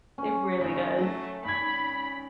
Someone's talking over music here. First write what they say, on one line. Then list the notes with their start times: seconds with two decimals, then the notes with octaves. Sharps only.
It really does.
0.18 C#4
0.59 F1 D#3
0.99 F#3 A3
1.45 G#1 B5 G#6